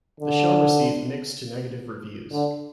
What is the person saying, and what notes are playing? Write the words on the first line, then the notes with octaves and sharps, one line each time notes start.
The show received mixed to negative reviews.
D3
D3